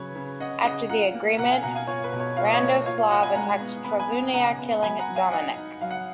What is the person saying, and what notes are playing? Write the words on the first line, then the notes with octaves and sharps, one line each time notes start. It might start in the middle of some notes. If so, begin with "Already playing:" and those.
After the agreement, Radoslav attacked Travunia, killing Domanek.
Already playing: C#3 F#3 B4 C#5
C#3
C#4 D#5 F#5
C#3 D#5 F#5
F4 F#5 A#5
A#3
B2 F#5 A#5
F5 G#5
B2 F#5 A#5
F5 G#5
F4 C#5
B4
B2
C#5
F4 F5
D#5
C#5 F5
A#3
F4 C#5 F5
C#5 F5
F4 D#5 F#5
G#5 B5
G#3 F#5 A#5
B3
B3 B5
G#5 B5
B3
C#3 F#5 A#5
B3
F#3 G#5 B5
F#5 A#5
F#3
F5 G#5
D#4 D#5 F#5
D#4
F#3 F5
F#5